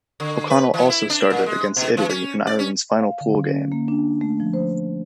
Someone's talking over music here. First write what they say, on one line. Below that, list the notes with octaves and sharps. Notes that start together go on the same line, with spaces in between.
O'Connell also started against Italy in Ireland's final pool game.
D3
B4
E3
E4
D4
A#2
G#3
B2
E3
C#4
D5
C#4
F5
D3
C#4
A#3
D4
A3
F3
C5